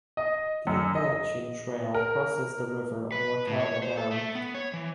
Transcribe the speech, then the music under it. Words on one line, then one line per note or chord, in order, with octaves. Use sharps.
The Appalachian Trail crosses the river on Watauga Dam.
D#5
F#2
D#5
A#4
B4
A2
C#5
C5
A4
A3
B3
C#5
E3